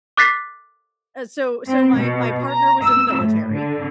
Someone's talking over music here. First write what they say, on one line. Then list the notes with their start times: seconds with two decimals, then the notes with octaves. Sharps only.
uh, so so my my partner was in the military
0.17 D6 F#6 A6 B6 C7
1.67 C4
1.95 B2
2.48 A#5
2.83 E6
3.17 A2
3.52 D3